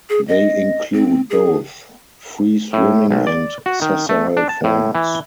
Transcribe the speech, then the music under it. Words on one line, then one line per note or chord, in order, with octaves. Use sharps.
They include both free-swimming and sessile forms.
G#4
D#5
C4
G#4
A2
B1
D5
F#4
D#3
A3
D4
A5
A2
E3